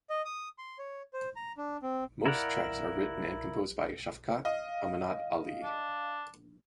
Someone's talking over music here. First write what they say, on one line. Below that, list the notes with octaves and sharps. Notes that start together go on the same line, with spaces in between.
Most tracks are written and composed by Shafqat Amanat Ali.
D#5
D#6
C6
C#5
C5
A#5
D4
C4
E4 A#4 D5 F5 F#5
D#5 F5
D4